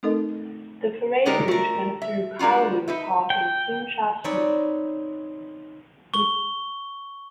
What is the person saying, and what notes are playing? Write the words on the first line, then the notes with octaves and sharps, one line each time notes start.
The parade route went through Kowloon Park in Tsim Sha Tsui.
A3 C4 D#4 A4 A#4 D#5
D3 G#3 D4 D#4 G4 A#4
A3 A#4
E5
G3 G#3 D4 F4 F#4
D#4 B4 E5
G5
C4 D#4 B4 C#5 D5
C#6 G7